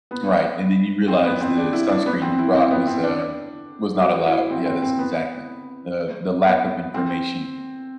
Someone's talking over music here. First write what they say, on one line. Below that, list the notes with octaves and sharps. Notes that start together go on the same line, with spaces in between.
Right, and then you realize the sunscreen you brought was, um was not allowed. Yeah, that's exactly, uh, the lack of information,
B3
C4
B3
C4
D4
E4
D4
B3
C4
E4
C4
B3
C4
D4
F#4
E4
C4
C4
C4
B3
B3
C4